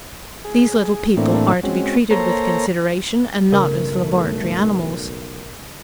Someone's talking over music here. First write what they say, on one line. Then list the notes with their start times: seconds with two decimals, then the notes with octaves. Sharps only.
These little people are to be treated with consideration, and not as laboratory animals.
0.45 G#4
1.17 A2 E3 A3 A#3 C4 D4
1.63 G#3 C4 C#4 F#4
2.11 A#3 A4 C5 C#5 A#5
3.52 B1 G2 C#3 A3 A#4